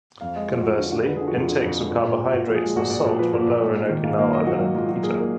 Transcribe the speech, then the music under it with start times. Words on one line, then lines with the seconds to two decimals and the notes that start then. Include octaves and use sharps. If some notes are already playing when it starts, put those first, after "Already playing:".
Conversely, intakes of carbohydrates and salt were lower in Okinawa than in Akita.
0.21 F2 F5
0.36 G#3 D#5
0.50 F2 F4
0.63 G#3 F#4
0.78 D3 F#4
0.92 D3 F#4
1.06 D3 B4
1.16 D3 G#4
1.28 F#4
1.34 F2 F4
1.49 D3
1.63 F2
1.77 G#3
1.91 A#2
2.06 A#2
2.20 A#2
2.34 A#2 F#4
2.48 F3
2.55 G#4
2.63 G#3
2.76 A#2 F#4
2.90 A#2 D5
3.05 A#2
3.19 F3 B4
3.33 A#2
3.47 A#2
3.62 G#2
3.75 G#2
3.89 D#3
4.04 G#2 F5
4.18 A#3 D#5
4.32 F#3 D#5
4.47 A#3 F#4
4.60 G#2 F#4
4.75 G#2 F4
4.89 F#3 F#4
5.03 A#3 G#4
5.17 A#3 A#4